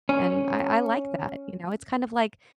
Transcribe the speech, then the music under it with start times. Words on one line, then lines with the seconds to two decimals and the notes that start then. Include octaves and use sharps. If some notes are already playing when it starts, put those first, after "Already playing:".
and I I like that, you know? It's kind of like
0.09 C#4